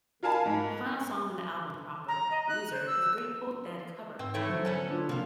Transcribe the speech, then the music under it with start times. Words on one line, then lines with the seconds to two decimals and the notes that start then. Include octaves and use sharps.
The final song on the album proper, "Loser" is a Grateful Dead cover.
0.23 F4 A#4 F5 G#5 A5 B5
0.46 G#2
2.08 A#5
2.31 D#5
2.48 F#6
2.71 C5
2.87 E6
4.19 G#2 C4 B4
4.34 E3 A3 D#4 C#5
4.50 D3 F#3 C5
4.65 B3 C#4 A4
4.91 D4 F4
5.09 C3 F3 A#3 F4